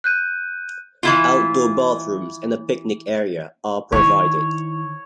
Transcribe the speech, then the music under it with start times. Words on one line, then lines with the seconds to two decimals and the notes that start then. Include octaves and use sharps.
Outdoor bathrooms and a picnic area are provided.
0.04 F#6 G6 D#7
1.03 E3 E4 F4
3.92 D#3 E4 C#5